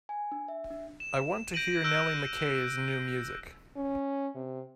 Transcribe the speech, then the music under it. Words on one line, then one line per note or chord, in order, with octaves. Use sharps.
I want to hear Nellie Mckay's new music.
G#5
D4
E5
D4
E7
G6 A#6 D7 D#7 F#7
E6 F#6 G6 A#6 D7
C#4
C3